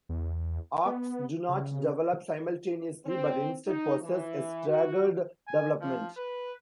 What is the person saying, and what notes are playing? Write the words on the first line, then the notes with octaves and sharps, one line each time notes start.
Arches do not develop simultaneously but instead possess a "staggered" development.
E2
B3
C#3
C4
D#4
E3
F#4
G#5
F3
B4